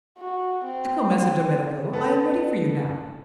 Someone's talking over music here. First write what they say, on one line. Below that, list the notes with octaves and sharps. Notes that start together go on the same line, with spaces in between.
Ecco, Messer Domenico, I am ready for you now.
F#4
C4
B3 A4